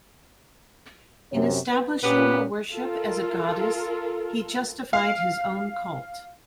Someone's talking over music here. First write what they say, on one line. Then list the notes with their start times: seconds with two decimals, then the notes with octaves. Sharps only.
In establishing her worship as a goddess he justified his own cult.
1.32 F#2 C3 C#5
1.68 B4
2.03 A#2 B3 C#4 G4 B4
2.71 F4 A4 A#4
4.93 F5